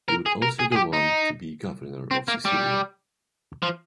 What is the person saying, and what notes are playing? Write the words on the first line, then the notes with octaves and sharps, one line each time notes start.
He would also go on to be governor of Sicilia.
A#4
G#4
A#4
G#4
G#4
G4
D#4
C4
A#3
G3
F3